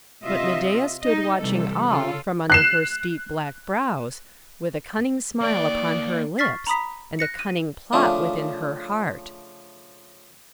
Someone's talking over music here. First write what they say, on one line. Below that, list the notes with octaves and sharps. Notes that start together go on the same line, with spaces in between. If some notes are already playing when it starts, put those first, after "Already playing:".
But Medeia stood watching all, from under her steep black brows, with a cunning smile upon her lips, and a cunning plot within her heart.
C3 F4 D#5 E5
D#4 D#5
C3 E3 G3 A4
C#3 F4 A4
F#6 C7 E7
A#3 D5 G5
C#6 F6 A6 B6 C7
A#5 B5 D#6 B6
F#6 A#6 C#7
D#7
C#3 F3 A3 D4